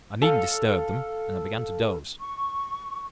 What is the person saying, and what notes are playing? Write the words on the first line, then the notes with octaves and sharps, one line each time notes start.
I needn't disturb them; and I began to doze.
A4 F5
C#6